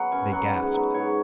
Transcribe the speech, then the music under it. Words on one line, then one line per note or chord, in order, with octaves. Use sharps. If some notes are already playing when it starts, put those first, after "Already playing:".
They gasped.
Already playing: F#3 B3 F#5
F#2 G#5
F#3 B3 F#5
G#2
F#3 B3
G#2 C#5